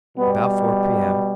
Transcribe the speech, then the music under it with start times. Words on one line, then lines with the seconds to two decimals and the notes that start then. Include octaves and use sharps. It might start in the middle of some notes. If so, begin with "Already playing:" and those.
About four p.m.
0.16 B2 G3 B3